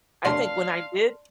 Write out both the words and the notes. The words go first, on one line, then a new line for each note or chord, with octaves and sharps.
I think when I did
D2 A2 A#3 D5 F5 A5 C6